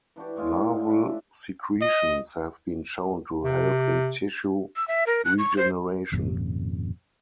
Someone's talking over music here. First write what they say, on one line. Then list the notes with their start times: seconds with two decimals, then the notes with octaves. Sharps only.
Larval secretions have been shown to help in tissue regeneration.
0.16 E3 D4 F#4 G4
0.36 A2 G#3 F4 G#5
0.90 D4 E5
1.81 D#5
3.44 C3
4.76 E6
4.88 E5
5.07 A#4
5.25 F#6
5.38 C#6
5.57 C5
6.12 G#1 F2 A#2 C#3